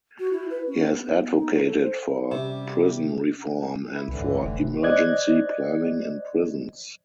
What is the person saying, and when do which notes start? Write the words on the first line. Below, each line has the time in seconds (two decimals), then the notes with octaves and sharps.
He has advocated for prison reform and for emergency planning in prisons.
0.19 F#4
0.32 E4
0.50 B4
0.67 C#4
0.91 B3
1.20 B3
1.35 D#4
1.51 C#5
1.66 A4
1.81 C5
2.31 C3 G3 C#4
3.92 E4
4.08 C2 A2 D3 E3
4.21 G2
4.44 F1
4.59 C3
4.83 C5 D5 D#5 F#6 G#6